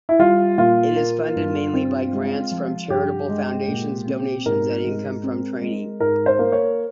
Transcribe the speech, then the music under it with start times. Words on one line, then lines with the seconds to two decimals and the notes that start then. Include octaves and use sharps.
It is funded mainly by grants from charitable foundations, donations and income from training.
0.09 E4
0.19 G3 F4
0.58 A#2 F4
0.96 A#3
1.36 G2
1.74 C4
2.13 G#3
2.51 F3
2.90 G2 G4
3.29 G#3
3.68 A#2
4.07 C4
4.46 G#2 A#4
4.85 G#3
5.23 C4
5.61 G#3
6.00 G#2 A#4
6.26 C5
6.39 A#3
6.52 C#5